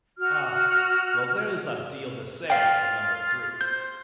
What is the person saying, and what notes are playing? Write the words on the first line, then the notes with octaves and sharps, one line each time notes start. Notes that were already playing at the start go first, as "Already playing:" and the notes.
Ah, well, there's a deal to say to number three.
F#4 F6
F4 F5 G5
C5 G6